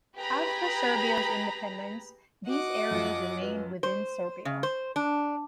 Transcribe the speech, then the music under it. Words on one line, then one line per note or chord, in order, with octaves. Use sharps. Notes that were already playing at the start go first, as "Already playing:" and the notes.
After Serbia's independence, these areas remained within Serbia.
G4 G#4 B4 A#5 B5
F#4 D#5 F#5 D6
F#2 F3 F4
B4
C5
C#3
C5
D4